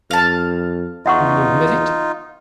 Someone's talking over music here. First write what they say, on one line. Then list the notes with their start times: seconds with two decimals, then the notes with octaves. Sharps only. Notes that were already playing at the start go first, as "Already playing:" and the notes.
Do you admit it?
0.11 F2 F5 A5
1.06 E2 D#4 F4 E5 F#5 C#6